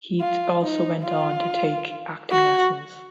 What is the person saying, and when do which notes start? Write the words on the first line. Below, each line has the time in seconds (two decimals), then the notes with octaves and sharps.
Heath also went on to take acting lessons.
0.21 F4
0.63 D#4
1.04 F4
2.32 F#4